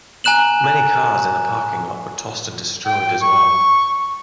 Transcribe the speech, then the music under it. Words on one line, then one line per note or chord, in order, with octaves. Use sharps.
Many cars in the parking lot were tossed and destroyed as well.
G#5 A#5 F#6 E7 F#7
G5
C#6